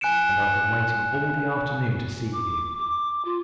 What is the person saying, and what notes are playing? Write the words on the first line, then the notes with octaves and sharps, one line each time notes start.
And I've been waiting all the afternoon to see you.
G#5 F#6 C#7 D7 E7
D6
D6
F4